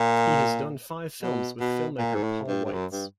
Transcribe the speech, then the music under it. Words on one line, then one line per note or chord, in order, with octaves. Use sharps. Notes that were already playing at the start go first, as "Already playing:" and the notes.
He has done five films with filmmaker Paul Weitz.
Already playing: A#2
B2
B2
A#2
G#2
A2
G2
G2
F#2
G2